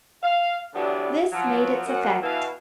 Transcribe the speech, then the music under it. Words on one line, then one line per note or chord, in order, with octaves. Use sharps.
This made its effect.
F5
D3 E3 F#3 G3 B3 D4
F3 F#3
F#2 F#5
B2 E3 F5